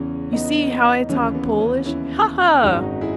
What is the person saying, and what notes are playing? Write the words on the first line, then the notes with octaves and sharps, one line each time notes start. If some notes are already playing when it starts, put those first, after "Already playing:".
You see how I talk Polish, ha ha!
Already playing: E2 C#3 E3 C#4
B3 D#4
D#2 C#3 E3 C#4
B3
C#4
C#4 E4
G#1 F#2 D#3 G#3 D#4 F#4
E4 G#4